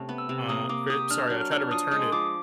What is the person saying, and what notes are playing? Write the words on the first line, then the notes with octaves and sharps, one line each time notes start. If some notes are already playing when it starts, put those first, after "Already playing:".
Uh, I sorry, I tried to return it
Already playing: C3 A3 C#4
B3
E6
C3
A#3 D#6
A#3 D6
G4 D#6
D4 F6
F#3
F6
D4
F3 D#6
G#3 D#6
F3 D6